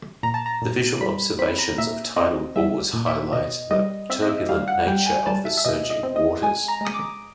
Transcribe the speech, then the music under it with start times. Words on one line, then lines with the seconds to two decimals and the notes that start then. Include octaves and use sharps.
The visual observations of tidal bores highlight the turbulent nature of the surging waters.
0.23 A#2 A#5
0.34 A5
0.46 A#5
0.62 A#2
1.01 G3 B5
1.39 C4 B5
1.59 A#5
1.78 A#2 E5
2.16 C4 D#5
2.56 G3 E5
2.93 A#2
3.07 E5
3.32 B2 D#5
3.71 G3 D#5
4.10 C4 E5
4.22 D#5
4.29 E5
4.49 G3 F5
4.68 F#5
4.87 G3 G5
5.06 G#5
5.26 G3 A5
5.45 E5
5.57 E5
5.65 B2 D#5
5.90 D#5
6.03 C4
6.16 D#5
6.43 G#3 G#5
6.68 A#5
6.81 G#3 D#6
6.94 D6